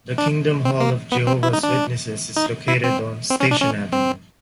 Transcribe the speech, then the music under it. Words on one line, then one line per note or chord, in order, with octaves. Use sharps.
The Kingdom Hall of Jehovah's Witnesses is located on Station Avenue.
D4
C4
A#3
B3
C4
E4
D#4
D4
D#4
E4
C4
C4
C#4
D4
C#4
C4